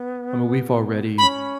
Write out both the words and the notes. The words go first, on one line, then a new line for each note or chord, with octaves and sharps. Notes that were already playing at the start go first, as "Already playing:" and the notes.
I mean, we've already
Already playing: B3
C#4 B5